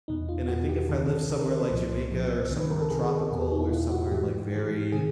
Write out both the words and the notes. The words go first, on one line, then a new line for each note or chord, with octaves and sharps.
and I think if I live somewhere like Jamaica or somewhere tropical or somewhere, like, very,
E2 B2 D#4
F4
E2 B2 F#4
G4
C#2 C3 D#3 A4
A4
C#2 C3 D#3 A4
A#4
C5
C5
C2 A#2 F3
C2 A#2 F3
C#2 C3 D#3
B4
A#4
A4
C#2 C3 D#3 G#4
A4
E2 B2 G#4
G4
D#4
E4
E2 B2 F4
F#4
G#2 E3 G4
G#2 E3
C3 D#3 G#4